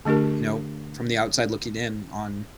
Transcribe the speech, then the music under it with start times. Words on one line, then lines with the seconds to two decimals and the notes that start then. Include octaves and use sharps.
you know, from the outside looking in on
0.05 D3 A3 D4 G4 A#4